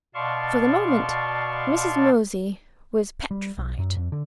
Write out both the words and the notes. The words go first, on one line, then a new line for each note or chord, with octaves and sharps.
For the moment, Mrs. Mosey was petrified.
B2 D5 F5 A5 C6 C#6
G3
B1
F#2
F2
D3